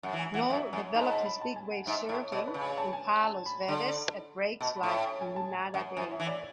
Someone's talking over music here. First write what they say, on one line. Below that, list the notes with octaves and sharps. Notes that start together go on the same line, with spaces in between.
Noll developed his big wave surfing in Palos Verdes at breaks like Lunada Bay.
F#2 F#5
E3
G#5
E3 F#5
F#2 E5
F#2 G#5
G#2 A5
A5
B5
A5
G#5
F#5
G#2 E5
A2
B2 D5
B4
C#3
G#5
A5
G#5
A5
B5
D3
B2 A5
B5
A2
A5
G#5
G#5
A5
G#5
F#2 F#5
F#2 G#5
E5
E3
D5